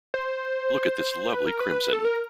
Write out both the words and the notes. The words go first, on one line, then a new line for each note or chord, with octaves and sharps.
Look at this lovely crimson!
C5
B4
A#4
B4
A4
A#4